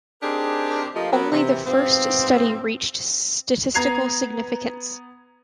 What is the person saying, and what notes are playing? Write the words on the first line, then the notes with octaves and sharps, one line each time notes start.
Only the first study reached statistical significance.
C4 D4 D#4 G4 G#4 A#4
F3 A3 A#3 F4 G4 D#5
F#3 B3 A#4
C3 E3
G#2 B2 F3 C4
B3 A#5 G#6 C7 F7